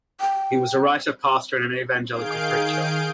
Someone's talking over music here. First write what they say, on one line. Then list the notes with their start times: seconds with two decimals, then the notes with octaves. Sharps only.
He was a writer, pastor and an evangelical preacher.
0.21 G5
2.11 D#3 G#4 F5 G6 D7